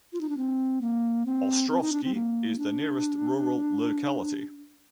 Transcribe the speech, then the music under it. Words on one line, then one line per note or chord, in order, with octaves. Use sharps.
Ostrovsky is the nearest rural locality.
F4
D#4
D4
C4
A#3
C4
C4
D#4
D4
C4
A#3
D4